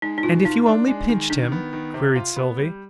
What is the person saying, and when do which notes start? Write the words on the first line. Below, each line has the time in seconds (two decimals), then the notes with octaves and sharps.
"And if you only pinched him?" queried Sylvie.
0.02 G#3 D#4
0.18 D#4
0.23 B2 F4
0.45 D#4 F4
0.66 D4
0.88 G#3
1.09 D#3
1.30 D#3 D4
1.52 B3
1.73 D#3
1.94 C3
2.16 F4
2.36 B3
2.58 G3